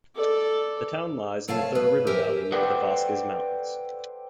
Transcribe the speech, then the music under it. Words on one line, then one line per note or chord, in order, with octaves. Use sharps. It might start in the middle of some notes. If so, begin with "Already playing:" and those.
The town lies in the Thur River Valley near the Vosges mountains.
A4 D5
C3 A3 C#5 F5 A5
B4
G4 A#4 C5 E5 G#5
A4 B4 C5 D5 F#5 G5